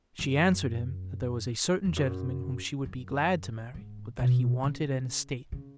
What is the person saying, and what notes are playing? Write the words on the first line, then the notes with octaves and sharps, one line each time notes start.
She answered him, that there was a certain gentleman whom she would be glad to marry, but that he wanted an estate.
F#2
E2
F#2
F#2
G#2
B2
C#3
C#3